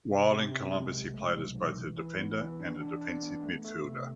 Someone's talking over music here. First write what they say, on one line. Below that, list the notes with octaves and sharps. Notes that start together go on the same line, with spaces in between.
While in Columbus, he played as both a defender and a defensive midfielder.
C3
C3
C3
G#3
B1
A3
B1
B1
E3
E3
B3
E3
D4
D4
D4
B3
A3
A3
C3